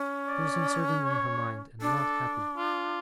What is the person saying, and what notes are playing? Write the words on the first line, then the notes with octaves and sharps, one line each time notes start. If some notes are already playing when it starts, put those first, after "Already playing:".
She was uncertain in her mind, and not happy.
Already playing: C#4
D5
C#5
D4 A4
F4